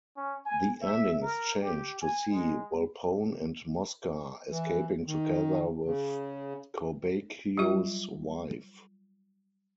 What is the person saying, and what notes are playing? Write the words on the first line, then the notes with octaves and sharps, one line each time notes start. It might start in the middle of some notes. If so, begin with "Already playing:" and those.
The ending is changed to see Volpone and Mosca escaping together with Corbaccio's wife.
C#4
G#5
E5
A#4
G4
G#5
G#3
E3
D#3
C#3
F#3 G3 F4 E5